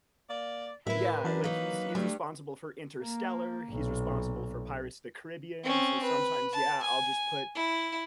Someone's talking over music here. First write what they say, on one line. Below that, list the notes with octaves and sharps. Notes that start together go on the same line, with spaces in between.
Yeah, like, he's he's responsible for Interstellar, he's responsible for Pirates of the Caribbean, and so sometimes, yeah, I'll just put
A#3 D5
A2 E4 A#4 B4
F#2 E3 D4
F#3 A#3 D#4 B4
G2 F#3 A3
A#3
B1 A#2
C4 C#4
B4
A5
G#5
E4